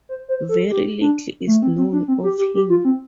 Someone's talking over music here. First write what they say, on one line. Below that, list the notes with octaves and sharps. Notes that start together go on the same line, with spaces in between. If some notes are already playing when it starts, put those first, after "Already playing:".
Very little is known of him.
C5
C5
A4
G4
D4
A3
C4
C4
D4
C4
G4
G4
G4
F4
C4